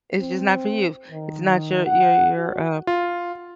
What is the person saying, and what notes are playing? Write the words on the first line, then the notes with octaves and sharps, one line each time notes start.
It's just not for you. It's not your your your, uh
C4
D#3
F#5
F#4
F4